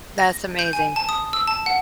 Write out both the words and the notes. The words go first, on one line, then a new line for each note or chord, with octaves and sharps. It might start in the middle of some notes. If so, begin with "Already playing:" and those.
That's amazing.
A#6
G6
G#5
A5
D#6
E6
A5
F#5